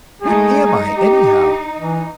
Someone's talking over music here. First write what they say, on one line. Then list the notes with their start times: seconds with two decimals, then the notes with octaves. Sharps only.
What am I anyhow?
0.22 G#3 A3 D#4 G#4
0.64 D#4
0.97 G4
1.78 E3